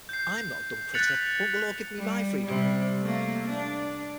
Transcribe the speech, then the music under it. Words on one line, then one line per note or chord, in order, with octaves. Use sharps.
I'm not a dumb critter; won't the law give me my freedom?
G6 C7
F#6 A6 B6 C#7 F7 F#7
G3
C3 G3
A3 A#3
D4